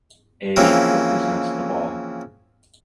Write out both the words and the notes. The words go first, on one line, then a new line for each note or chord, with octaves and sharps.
A represents the ball.
C#3 E3 F3 A#3 C4 C#4